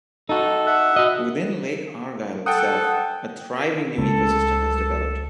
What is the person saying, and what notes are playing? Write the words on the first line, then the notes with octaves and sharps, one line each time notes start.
Within Lake Argyle itself a thriving new eco-system has developed.
D#4 F#4 A4
E5 F#5
F#4 D#5
A4 F#5 G5 D#6
C#2 A4